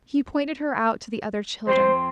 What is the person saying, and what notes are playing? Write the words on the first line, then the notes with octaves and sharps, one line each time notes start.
He pointed her out to the other children.
F2 C4 C5 C6